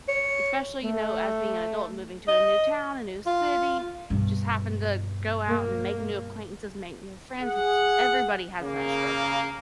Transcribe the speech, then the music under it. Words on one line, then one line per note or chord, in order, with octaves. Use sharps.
especially, you know, as being an adult, moving to a new town, a new city, just happen to go out and make new acquaintances, make new friends, it's everybody has that struggle,
C#5
A3
D#5
F4
G2 B2
A#3
G#4 F#5
C#3 A#3